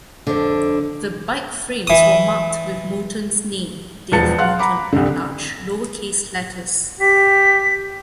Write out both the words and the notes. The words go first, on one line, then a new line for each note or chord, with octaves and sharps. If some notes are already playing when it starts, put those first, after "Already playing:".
The bike frames were marked with Moulton's name, "Dave Moulton" in large lower-case letters.
F2 D3
E3 D#6
E1 F3 B4 A5 A6 C#7
F5 F#5 C6 F#6
A#5 B5 D6
C2 D3
G4 B6